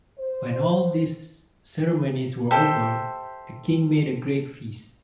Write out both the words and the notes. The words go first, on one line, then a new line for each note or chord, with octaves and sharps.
When all these ceremonies were over, the king made a great feast.
C5
G4 A4 C5 E5